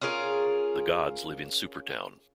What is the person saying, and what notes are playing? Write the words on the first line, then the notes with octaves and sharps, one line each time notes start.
The gods live in Supertown.
C#4 F4 G#4 A#4